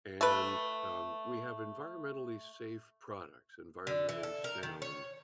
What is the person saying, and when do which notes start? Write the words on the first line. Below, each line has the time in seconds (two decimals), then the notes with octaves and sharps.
And, um, we have environmentally safe products, environmentally sound
0.21 A3 B4
3.87 D3
4.09 E3
4.23 A4
4.44 A#4
4.63 D#3
4.82 C#5